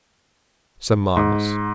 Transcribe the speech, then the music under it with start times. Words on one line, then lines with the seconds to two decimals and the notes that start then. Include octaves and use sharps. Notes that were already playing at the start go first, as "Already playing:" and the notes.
"Some miles."
1.16 G#2